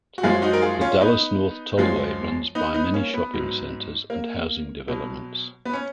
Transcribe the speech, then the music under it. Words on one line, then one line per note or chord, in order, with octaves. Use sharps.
The Dallas North Tollway runs by many shopping centers and housing developments.
F#4
F#2 F3 G#3 F4 G#4
D#4 F#4
A#4
F4 G#4
C#4 F4
B3 D#4
F#2 F3 G#3
B3 D#4
B3 D#4
A#3 C#4
B3
G#2 F#3
A#3
B2 F#3
B3
C#4